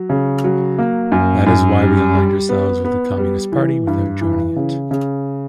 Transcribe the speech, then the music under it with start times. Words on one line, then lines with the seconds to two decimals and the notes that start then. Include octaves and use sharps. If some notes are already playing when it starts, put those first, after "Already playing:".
That is why we aligned ourselves with the Communist Party, without joining it.
Already playing: F#3
0.10 C#3
0.44 F#3
0.78 A#3
1.12 F#2
1.46 F#2
1.82 G3
2.15 G3
2.49 B3
2.85 B3
3.18 G3
3.52 E3
3.87 G2
4.21 E3
4.56 C#3
4.91 C#3